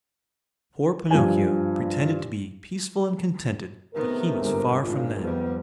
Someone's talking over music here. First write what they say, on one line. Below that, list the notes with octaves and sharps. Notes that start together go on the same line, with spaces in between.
Poor Pinocchio pretended to be peaceful and contented, but he was far from that.
G2 F3 G#5
C3 D#3 A3 B3 A#4
G1 G#2
G#1 A2 D4 F4
F2 G#2 G3 B3